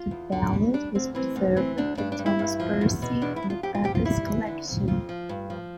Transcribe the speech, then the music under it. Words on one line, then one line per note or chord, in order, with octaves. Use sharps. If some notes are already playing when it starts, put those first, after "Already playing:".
The ballad was preserved by Thomas Percy in the Pepys Collection.
Already playing: F4
E2
D3
G3
G3 D4
D2 C4
E3 C4
D2
E3 C4
D2 D4
G2 D4
D4
G2
E4
G2
F3
E2
B2
E2 D4
E4
E2
F4
F2 G4
F4
F2 G4
F4
G3 E4
E3
D3
F2
F2 F4
F3
G2
F3